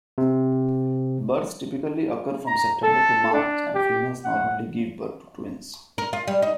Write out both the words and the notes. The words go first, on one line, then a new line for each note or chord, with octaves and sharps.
Births typically occur from September to March and females normally give birth to twins.
C3
A#5
A4
D4
G4
F#5
A#4
F4
G3
D#4